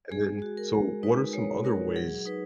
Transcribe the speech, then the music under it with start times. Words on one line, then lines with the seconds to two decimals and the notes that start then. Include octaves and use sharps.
And, then, so what are some other ways,
0.11 G#3 G#4
0.42 F#4
0.57 A#4
0.73 G#3
1.03 D#4 B4
1.34 G#3 C#5
1.64 F#4 A#4
1.95 F#3 G#4
2.25 D#4 B4